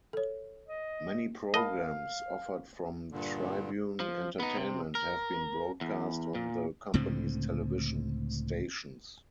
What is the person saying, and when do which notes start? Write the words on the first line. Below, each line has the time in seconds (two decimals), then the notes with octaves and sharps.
Many programs offered from Tribune Entertainment have been broadcast on the company's television stations.
0.13 A4 C#5
0.68 D#5
1.54 A#4 D#5 F5 A5 B5
3.12 G2 A#2 D3
4.00 F3
4.40 B3 D#4
4.57 C3
4.95 A#4
5.81 E2
6.35 A#2
6.94 C#2 A2 D3 C4